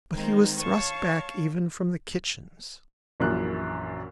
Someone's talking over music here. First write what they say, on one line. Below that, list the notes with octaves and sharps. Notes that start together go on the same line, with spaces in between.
But he was thrust back even from the kitchens.
D#3 G#3 A#3 C4 D#4
C#5 F5 A5 C#6
A#1 F#2 A#2 E3 F#6